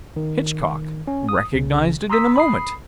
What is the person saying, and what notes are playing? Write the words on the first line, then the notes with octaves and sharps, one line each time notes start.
Hitchcock recognized it in a moment.
D#3
C#4
D#6
C2 C#3
A#5 C6 D#6 E6 B6
B5 D#6 C7